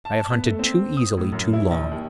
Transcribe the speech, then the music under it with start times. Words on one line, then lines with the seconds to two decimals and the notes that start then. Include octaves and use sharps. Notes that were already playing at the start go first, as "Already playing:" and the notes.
I have hunted too easily too long.
0.05 A5
0.31 B3
0.45 A3
0.59 C4
0.97 D#6
1.17 A2
1.33 F#2
1.53 E4
1.71 A#1
1.91 D#2